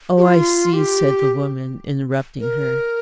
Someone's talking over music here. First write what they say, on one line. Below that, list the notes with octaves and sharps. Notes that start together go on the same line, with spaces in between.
"Oh, I see," said the woman, interrupting her.
G4
F4
G4
A#4